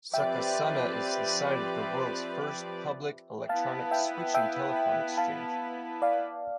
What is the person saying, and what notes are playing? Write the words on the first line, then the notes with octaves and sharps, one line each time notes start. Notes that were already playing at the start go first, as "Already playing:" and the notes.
Succasunna is the site of the world's first public electronic switching telephone exchange.
F3 C4 G4 B4 D5 E5 G5
B3 E4 B4 F5 A5
E5 G5
E5 G5
F5 A5
D5 F5